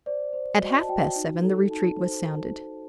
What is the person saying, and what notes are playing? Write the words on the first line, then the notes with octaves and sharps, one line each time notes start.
At half past seven the retreat was sounded.
C5 D5
C5
F#4 D#5
A5
F#4 G5
D#4
A4
D#4 A5
C5